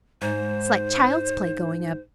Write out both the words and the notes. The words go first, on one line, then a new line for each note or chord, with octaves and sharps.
It's like child's play going up.
G#2 C5